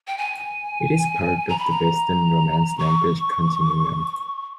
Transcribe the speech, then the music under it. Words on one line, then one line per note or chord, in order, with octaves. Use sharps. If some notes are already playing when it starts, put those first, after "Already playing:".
It is part of the Western Romance language continuum.
G5
G#5
A#5
B5
A#5
C#6